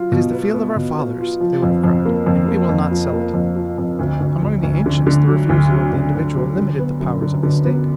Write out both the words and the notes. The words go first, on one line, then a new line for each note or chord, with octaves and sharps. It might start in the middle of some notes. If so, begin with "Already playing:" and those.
"It is the field of our fathers," they would have cried, "and we will not sell it!" Among the ancients, the refusal of the individual limited the powers of the State.
Already playing: F#3 F4
B2
B3
B3
B2
B3
F4
F3
F2
F2
A#3
F2
A#3
F2
F3
A#3
F2
F3
F2
D2
D2
D2
D2
D3
D3
F#3
D2
F#3
D2
D2
F#3
D3
B3
F#2
D3
D3
B3